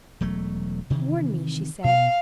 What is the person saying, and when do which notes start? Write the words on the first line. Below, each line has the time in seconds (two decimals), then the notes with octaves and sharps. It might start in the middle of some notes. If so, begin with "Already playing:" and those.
"Warn me?" she said.
0.21 E1 F#3 A3
0.90 C3 D#3 E3
1.84 B2 F5